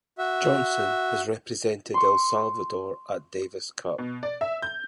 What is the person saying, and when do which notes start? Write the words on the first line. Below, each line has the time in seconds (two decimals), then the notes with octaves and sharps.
Johnson has represented El Salvador at Davis Cup.
0.18 F#4 E5
1.94 C6 C#6
3.98 B2
4.23 D5
4.41 E5
4.62 G6